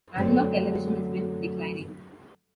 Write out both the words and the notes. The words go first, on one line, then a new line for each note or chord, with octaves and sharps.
Analogue television has been declining.
F#2 D3 F#3 G3 A3 C4